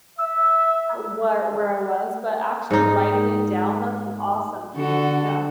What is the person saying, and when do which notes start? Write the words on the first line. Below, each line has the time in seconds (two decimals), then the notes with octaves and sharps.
how wher where I was," but actually writing it down, that's an awesome thing, yeah.
0.18 E5 E6
2.71 G#2 D#4
4.76 D3 F#4 A4